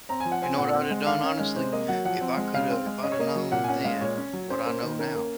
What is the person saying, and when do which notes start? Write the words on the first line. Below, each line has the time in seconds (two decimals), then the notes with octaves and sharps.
You know what I would've done, honestly? If I coulda if I'd have known then what I know now,
0.09 C4 A#5
0.20 F3 G#5
0.32 F#5
0.42 C4 G#5
0.58 A#2 F#5
0.75 C4
0.91 G#3
1.07 D#3 F5
1.23 C#4
1.40 G#3
1.56 C3 C5
1.72 A#3 D#5
1.88 F#3 F#5
2.05 F3 F#5
2.21 C4
2.37 G#3
2.54 C#3 F5
2.70 C4
2.86 G#3
3.03 C#4 D#5
3.12 C#5
3.19 A#3 D#5
3.36 F#3
3.52 A#2 F#5
3.64 G#5
3.68 C#4 F#5
3.84 G#3 F5
4.01 A#2 C#5
4.17 C#4
4.33 F#3
4.50 C#4 C5
4.66 A#3
4.83 D#3
4.99 C#4 A#4
5.15 A#3